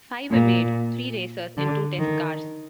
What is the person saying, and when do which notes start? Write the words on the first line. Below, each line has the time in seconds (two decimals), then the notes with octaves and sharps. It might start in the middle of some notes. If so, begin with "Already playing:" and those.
Five were made, three racers and two test cars.
0.31 A#2
1.57 D3
1.99 D#3